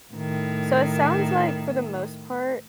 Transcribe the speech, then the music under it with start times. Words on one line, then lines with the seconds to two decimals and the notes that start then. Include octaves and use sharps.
So it sounds like, for the most part,
0.13 A2 D#3